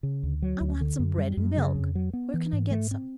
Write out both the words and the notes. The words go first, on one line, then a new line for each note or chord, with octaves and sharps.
"I want some bread and milk. Where can I get some?"
C#3
D2
F#3
D2
D3
F#2
G3
F#2
C#3
F2
F#3
B3
E3
G#2
A3
C4